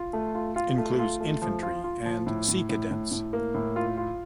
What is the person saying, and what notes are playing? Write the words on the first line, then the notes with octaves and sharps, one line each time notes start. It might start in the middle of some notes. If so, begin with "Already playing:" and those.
Includes Infantry and Sea Cadets.
Already playing: F4
A3
F4
F4
A3
F4
A3
F3
F4
F4
F3
A2
A2
A2
A2
A2
A#3
A2
F4
F4